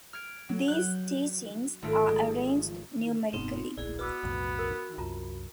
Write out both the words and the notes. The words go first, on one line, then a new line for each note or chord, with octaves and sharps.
These teachings are arranged numerically.
F6 G#6 D7
F#3
F#6 G6
G#1 A3 F4 D7
G#3
F1 G2 B2 B3 C4 D#4
D1 A#1 E4 G#4 D5
B3 F#4 B4 B5 D6 E6
B1 F2 A2
A#4
C2 F#2 F4 A5 A#5